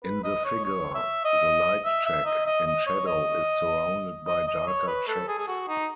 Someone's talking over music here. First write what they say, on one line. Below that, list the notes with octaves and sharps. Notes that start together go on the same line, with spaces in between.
In the figure, the light check in shadow is surrounded by darker checks.
B4
D#5
C#5
C#5
E5
D#5
E5
E5
D#5
D#5
D#5
C#5
D#5
D#5
D#5
C#5
B4
A4
G#4
G#4
F#4
D#4